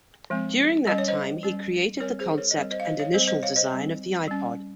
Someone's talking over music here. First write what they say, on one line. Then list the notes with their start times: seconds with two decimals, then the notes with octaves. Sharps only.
During that time, he created the concept and initial design of the iPod.
0.30 F3 G#3 C4
0.87 G3 C#4 D#5
0.98 C#5
1.08 C5 D#5
1.43 G3 C#4
2.00 G3 C4 A#4 C#5
2.20 G#4 C5
2.38 A#4 C#5
2.51 D#5
2.57 G3 C4 A#4 C#5
2.71 C5 D#5
2.80 F5
2.85 C5 D#5
2.99 C#5 F5
3.14 G3 C4 C5 D#5
3.27 C5 D#5
3.43 C#5 F5
3.56 C5 D#5
3.71 G3 C4
4.28 G3 C#4